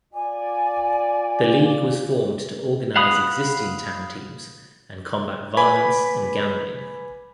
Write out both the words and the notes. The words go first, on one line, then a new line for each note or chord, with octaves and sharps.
The league was formed to organize existing town teams and combat violence and gambling.
F4 D5 G#5
F5 F#5 B5 D#6
B4 G#5 B5 D6